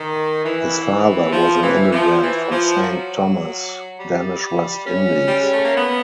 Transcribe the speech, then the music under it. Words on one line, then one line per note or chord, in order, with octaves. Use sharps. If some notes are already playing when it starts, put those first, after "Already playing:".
His father was an immigrant from Saint Thomas, Danish West Indies.
Already playing: D#3
E3
F3
E3
F3
E3
F3
F#3
G3
C#4
G3
G#3
A3
A#3
B3